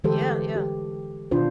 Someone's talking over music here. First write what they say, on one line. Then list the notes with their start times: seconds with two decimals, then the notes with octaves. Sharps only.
Yeah, yeah.
0.04 D3 E3 G#3 G4 A4 C5
0.56 G4
1.31 B2 D#3 D4 F4 C5